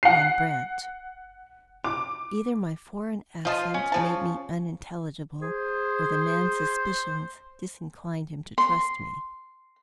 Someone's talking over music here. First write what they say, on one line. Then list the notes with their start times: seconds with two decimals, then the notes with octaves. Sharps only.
Van Brandt. Either my foreign accent made me unintelligible, or the man's suspicions disinclined him to trust me.
0.03 F#5 C7
1.84 D6
3.45 F3 F4 D#5 A5 C6
3.74 C#4
3.92 C#3 F3 A5
5.42 G#4 C5
8.58 C6